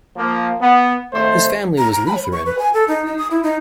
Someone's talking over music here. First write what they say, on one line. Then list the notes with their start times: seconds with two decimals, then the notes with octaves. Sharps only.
His family was Lutheran.
0.16 F3 A#3
0.60 B3
1.13 G#1 A3 C5
1.78 A#5
1.93 A#5
2.07 B5
2.33 C#6
2.46 B4
2.59 G#5
2.74 A4
2.88 D#4
3.06 D#4
3.18 D#6
3.31 E4
3.43 D#4